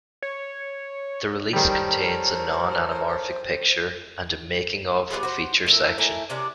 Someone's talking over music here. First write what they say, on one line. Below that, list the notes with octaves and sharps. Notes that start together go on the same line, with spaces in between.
The release contains a non-anamorphic picture and a "making of" feature section.
C#5
D#3 G3 A4 A#4 C5 C#5
G3 B3 F4 G#4
F#4 C5
A3 E4 A#4 E5
A3 E4 A#4 G#5
C3 C#4 D4 D5